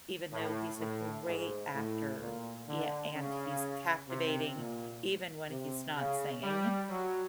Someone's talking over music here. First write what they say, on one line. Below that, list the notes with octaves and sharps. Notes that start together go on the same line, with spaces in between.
even though he's a great actor, yeah, and he's captivating even when he's not singing,
A2
A2
G#2
A2
A#2
D3
C#3
C3
A#2
C3
C#3
G3
F#3